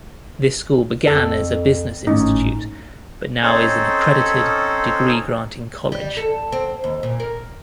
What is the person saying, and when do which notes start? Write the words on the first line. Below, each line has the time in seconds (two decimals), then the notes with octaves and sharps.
This school began as a business institute, but now is an accredited degree-granting college.
1.07 F2 A4
2.07 G#1 A2 C#4 D#4
3.43 C4 C#4 D#4 A4 C5 C#5
5.92 G3
6.17 A4
6.52 C4
6.84 D#2
7.03 A#2
7.20 A#4